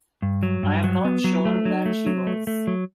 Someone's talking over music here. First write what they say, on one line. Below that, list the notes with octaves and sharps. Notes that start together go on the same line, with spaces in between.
I'm not sure that she was.
G2
F#3
G2
F#3
B3
F#3
A3
F#3
A3
F#3
A3
A3
F#3